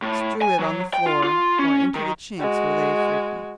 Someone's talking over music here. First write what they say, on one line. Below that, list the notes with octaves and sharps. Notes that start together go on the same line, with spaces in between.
Strew it on the floor, or into the chinks where they frequent.
A2
G#5
F#3
G5
F4
F4
C#4
D#3
G#3 F#4